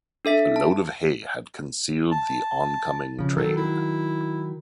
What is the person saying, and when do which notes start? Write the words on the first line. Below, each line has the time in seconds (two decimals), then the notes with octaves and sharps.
A load of hay had concealed the oncoming train.
0.25 D4 A4 E5 B6
0.56 A5
2.12 A5
3.19 C#3 F3
3.37 D#3 F#3 A4
3.57 E4